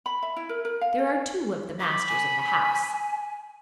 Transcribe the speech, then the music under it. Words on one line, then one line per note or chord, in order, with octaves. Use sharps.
There are two of the masters in the House.
B5
E5
E4
A#4
A#4
F5
A4
B5 D6
G#5